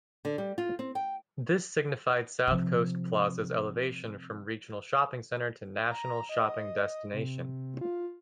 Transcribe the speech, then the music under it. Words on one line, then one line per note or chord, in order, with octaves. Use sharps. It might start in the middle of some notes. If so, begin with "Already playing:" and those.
This signified South Coast Plaza's elevation from regional shopping center to national shopping destination.
D3
G3
F4
C4
G5
C3 F3
A#5
D#5
C3
F4